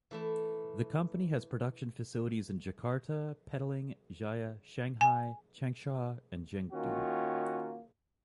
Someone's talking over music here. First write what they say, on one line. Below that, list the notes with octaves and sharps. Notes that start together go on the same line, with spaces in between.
The company has production facilities in Jakarta, Petaling Jaya, Shanghai, Changsha and Chengdu.
E3 A3 E4
G#5
D#3 A#3 C#4 F4 F#4